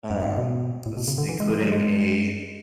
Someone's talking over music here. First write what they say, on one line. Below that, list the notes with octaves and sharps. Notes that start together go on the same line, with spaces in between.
um, s including a,
F#2
G#2
B2
A2
B2
C#3
D3
E3
G#3
E3
F#3
G#3